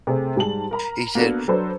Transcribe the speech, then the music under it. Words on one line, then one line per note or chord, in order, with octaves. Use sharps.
He said,
C3 A3 G#4
G#2 G3 G#4 A5 F#7
A#4 A#5 B5
A#3 B3 D4 F#4 A4
F#3 D4 A4 B4 C5